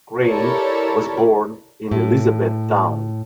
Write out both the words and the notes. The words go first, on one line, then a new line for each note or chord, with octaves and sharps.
Crane was born in Elizabethtown.
E4 G4 A4 A#4 C#5 D5
A2